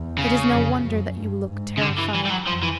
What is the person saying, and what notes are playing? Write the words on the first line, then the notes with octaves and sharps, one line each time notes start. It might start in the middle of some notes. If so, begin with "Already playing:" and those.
It is no wonder that you look terrified.
Already playing: E2
C#3
F2
F#2
G2
G#2
C#3
G2 D3
E3
E3
G3
F#3
F2 F3
E3